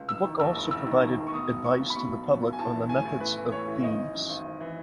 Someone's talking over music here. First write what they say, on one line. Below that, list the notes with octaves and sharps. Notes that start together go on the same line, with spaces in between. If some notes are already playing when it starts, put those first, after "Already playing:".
The book also provided advice to the public on the methods of thieves.
Already playing: C#2
E1 E6
D#3
D#2 E6
E1
E1 E6
D#3
D#2
E1
C#6
B2 D#6
B1
B2 C#6
B1
B5
B2 C#6
B1
B2
B1
G#5
A1 A5
E3
A2 G#5
A1
A1 B4
E3
A2 C#5
A1
G#1 D#5
E3
F#2
G#1
G#1
E3